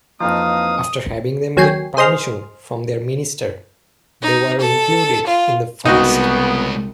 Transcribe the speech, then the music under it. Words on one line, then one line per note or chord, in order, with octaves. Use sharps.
After having them get permission from their minister they were included in the fast.
F2 E3 F3 A#3 D#4 F5 D#6
D#2 F#3 G5 G#5 C7
G#4 C5 D#5 C6 F6
D#4
A4
F4
C2 C#3 G#3 B3 D#4 F#4